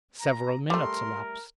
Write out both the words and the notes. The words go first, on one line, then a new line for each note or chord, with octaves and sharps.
Several minutes elapsed.
A#5
G3 A3 A#4 C6